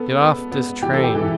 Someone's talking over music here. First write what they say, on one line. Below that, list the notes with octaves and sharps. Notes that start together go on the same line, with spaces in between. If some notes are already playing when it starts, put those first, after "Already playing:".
"Get off this train."
Already playing: B3 A4
B3
B3
E3 G4
A4
G4
E3
E4